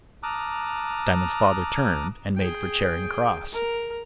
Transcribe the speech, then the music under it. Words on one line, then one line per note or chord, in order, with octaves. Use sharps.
Diamond's father turned, and made for Charing Cross.
A5 A#5 D6 D#6 F6 F#6
G#4 G5
A#4